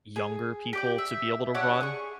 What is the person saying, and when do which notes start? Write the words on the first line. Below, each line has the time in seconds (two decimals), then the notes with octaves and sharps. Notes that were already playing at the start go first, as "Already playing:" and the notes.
Younger people to be able to run,
0.16 G#4
0.73 G4 D5 G5
0.98 E5
1.54 D4 G4 C#5 F#5
1.81 G#4 C#6